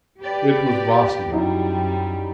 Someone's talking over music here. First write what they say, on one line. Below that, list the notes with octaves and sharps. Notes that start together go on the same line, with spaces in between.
It was Vasily.
G4 B4 D5
F#2 F#3 G3 D#4 E4